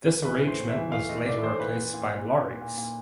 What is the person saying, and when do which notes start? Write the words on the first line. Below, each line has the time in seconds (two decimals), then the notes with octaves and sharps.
This arrangement was later replaced by lorries.
0.25 E3 B4
0.42 A2
0.47 C5
0.59 A2
0.69 E5
0.76 E3
0.92 E3 F5
1.09 A2 D#5
1.26 A2 D5
1.43 E3 C5
1.60 A#2 B4
1.76 A#2
1.94 A#2
2.10 A#2
2.27 A#2
2.44 A#2
2.61 A#2
2.78 A#2